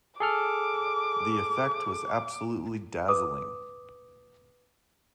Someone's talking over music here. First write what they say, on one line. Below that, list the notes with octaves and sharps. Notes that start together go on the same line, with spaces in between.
The effect was absolutely dazzling.
G#4 A4 D6 F6
B4 D6 D#6